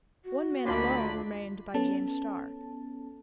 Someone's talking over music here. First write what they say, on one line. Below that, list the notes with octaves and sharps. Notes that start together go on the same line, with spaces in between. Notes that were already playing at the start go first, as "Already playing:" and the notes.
One man alone remained by James Starr.
F#4
D2 D3 F3 D4 D#4 G#5 B5 D6
B3 C#4 A4 A5